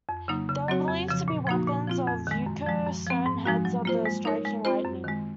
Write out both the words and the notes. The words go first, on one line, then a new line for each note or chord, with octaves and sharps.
They were believed to be weapons of Ukko, stone heads of the striking lightning.
F2
C#3 F#3 A#3 D#4
C#3
F#3 C4 F#4 C#5
F2
C#3 F3
A#2
F3 A#3 D#4 F#4
A#2
F3 C4 F4
F2
D#3 G#3
F#2
F3 G#3
F#2
F3 C4
G#2
F3 G#3 D#4 F#4
F#3
A#3 F4 C5
G#3
D#4 A#4 C#5
G#3
C4 F4 C5
F#2
D#3 G#3